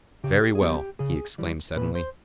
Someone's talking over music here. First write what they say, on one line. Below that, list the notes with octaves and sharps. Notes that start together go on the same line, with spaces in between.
"Very well!" he exclaimed suddenly.
C#3 G4
G#4
F#3 B3 G4
C#3 G#4
E3 G3
A#2 B4
C5